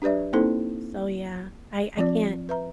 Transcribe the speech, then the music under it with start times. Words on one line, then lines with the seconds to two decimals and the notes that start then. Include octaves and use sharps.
Um, so, yeah, I I can't
0.02 D4 G4 B4 D5 E5
0.33 A#3 C4 D#4 E4 A4 C5
1.97 F3 C4 F4 D5
2.49 B4 E5 A#5